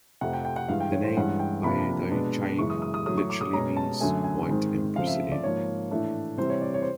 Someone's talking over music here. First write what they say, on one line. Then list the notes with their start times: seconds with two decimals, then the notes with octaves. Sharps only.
The name "Baidicheng" literally means White Emperor City.
0.21 F2 C3 F3 A3 F#5
0.33 G5
0.45 G5
0.56 F#5
0.68 G2 E3 G#3 F5
0.80 G5
0.92 C#5
1.04 C5
1.16 G2 E3 G#3 C#4 F#5
1.39 G5
1.63 F2 C3 F3 A#3 D4 B5
2.11 B2 G#3 B3 D4
2.58 F#2 C#3 E3 G#3 C#6
2.70 D#6
2.82 D#6
2.94 D#6
3.06 A2 F#3 A3 D#6
3.17 C#6
3.30 D6
3.41 D#6
3.53 B2 G#3 C#4 A#5
3.77 A5
4.01 F#2 D3 F#3 A3 G#5
4.24 G#5
4.48 G#2 D#3 G#3 C4
4.95 C#3 F3 A3 C4 F5
5.07 E5
5.32 D5
5.43 G#2 F3 A#3 C#5
5.91 A2 E3 A3 D4
6.37 C3 E3 G3 C4 C5
6.50 C#5
6.61 D5
6.74 C#5
6.82 C5